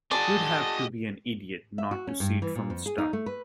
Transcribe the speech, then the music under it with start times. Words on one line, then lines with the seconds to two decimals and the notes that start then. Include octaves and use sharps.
You'd have to be an idiot not to see it from the start.
0.11 F#4 G#4 D5 D#5 A5
1.78 E5
1.91 F#4
2.07 C#4
2.20 G2
2.42 E3
2.55 A#2
2.70 F2
2.86 G#4
2.98 D#4
3.13 A3
3.26 B4